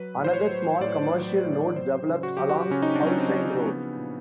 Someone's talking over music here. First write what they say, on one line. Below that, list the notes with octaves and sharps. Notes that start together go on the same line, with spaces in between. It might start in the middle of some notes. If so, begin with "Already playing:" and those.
Another small commercial node developed along Haultain Road.
Already playing: F#3 B4
A2
C5
C#5
F#3
A2 D5
F#3
A2
F#3 C5
C#3
F#4
F#3 G4
F#4
C#3 C#4
D#4
D4
F#3 C#4
C4
C#3
F3 B3
A#2